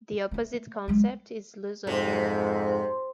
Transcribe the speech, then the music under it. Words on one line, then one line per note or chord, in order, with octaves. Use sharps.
The opposite concept is lusophilia.
A3 A#3
F#3 G#3
F2 G#2 C3